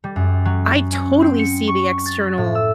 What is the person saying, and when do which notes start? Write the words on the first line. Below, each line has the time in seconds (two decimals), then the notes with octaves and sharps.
I totally see the external
0.04 G3
0.16 F#2
0.45 F#3
0.92 C#4
1.22 C4
1.39 C#7
1.67 C#6
2.06 A6
2.38 A2
2.55 E6